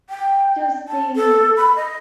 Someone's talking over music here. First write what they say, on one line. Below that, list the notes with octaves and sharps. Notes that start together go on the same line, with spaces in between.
Does the,
G5
A5
A4
B5
D#5